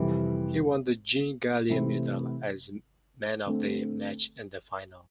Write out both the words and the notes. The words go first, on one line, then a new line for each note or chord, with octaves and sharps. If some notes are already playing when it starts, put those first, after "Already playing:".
He won the Jean Galia Medal as man of the match in the final.
Already playing: F2 C3 E3 G3
C3 E3 A3 C4 E4
D3 A3 C4